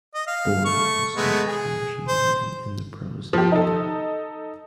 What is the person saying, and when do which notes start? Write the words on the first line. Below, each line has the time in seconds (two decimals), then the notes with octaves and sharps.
Borr is not mentioned again in the "Prose Edda".
0.15 D#5
0.27 F5
0.65 A3 C#6
1.16 G#3 A3 B3
1.47 G#4
2.08 C5
3.33 F3 G4
3.52 D#4 A4